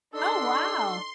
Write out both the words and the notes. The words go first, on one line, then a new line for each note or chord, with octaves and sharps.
Oh, wow.
D4 D#4 A4 C6 E6